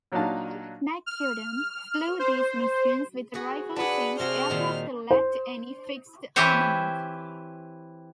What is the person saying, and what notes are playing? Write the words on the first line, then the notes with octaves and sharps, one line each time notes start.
McCudden flew these missions with a rifle since aircraft lacked any fixed armament.
A#2 F#3 D4 D#4 F5 A5
F6
C5
F#4 G#4 B4
D4 G#4 B4 F#5
C3 F#4 G#4 C5 F6
A#2 D#3
C5
E3 C4 E4 G4 C5 C#5